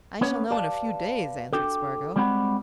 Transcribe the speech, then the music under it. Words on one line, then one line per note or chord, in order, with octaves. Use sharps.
"I shall know in a few days," answered Spargo.
A#3 B3 C#4 B4 C#5
G4 B4 D5 F5 A5
D4 F#4 G4 A4
G3 G#3 C4 F#4 F#5 B5